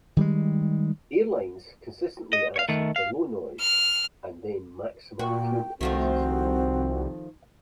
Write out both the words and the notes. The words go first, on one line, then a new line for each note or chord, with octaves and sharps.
Airlines consistently ask for low noise, and then maximum fuel efficiency.
D#3 G3 G#3
D#5
C#5 F5
D#3 A3
F5
F6
A#2 F#4 G5
C2 D#3 F3 A3 C4 F#4